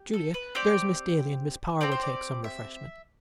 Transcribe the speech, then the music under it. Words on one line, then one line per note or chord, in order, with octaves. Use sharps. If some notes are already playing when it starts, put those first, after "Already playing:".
Julia, there's Miss Daly and Miss Power will take some refreshment.
Already playing: G4
A4
B4
C4 G4 D5
C4 G4 D5
C5
D5
E5